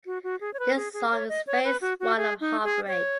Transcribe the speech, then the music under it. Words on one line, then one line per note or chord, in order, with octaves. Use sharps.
This song is phase one of heartbreak.
F#4
F#4
G#4
C#5
B4
G#4
G#4
C#5
D#5
C#5
B4
F#4
F#4
G#4
D#4
G#4
C#5